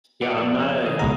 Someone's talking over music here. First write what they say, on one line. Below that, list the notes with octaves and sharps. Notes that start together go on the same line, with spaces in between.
Yeah, I'm not a
F#4 D5 F#5
F2 A4 D5
C3 D#3 G#4
C#2 B2 A#5